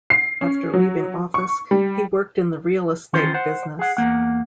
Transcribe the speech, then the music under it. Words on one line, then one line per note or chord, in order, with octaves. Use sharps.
After leaving office, he worked in the real estate business.
C7
C#4
F#3
C#6
G3
D#3 E3 C#4 F4 C5
C5 F#5
G#4 F#5
E2 A#3 F#5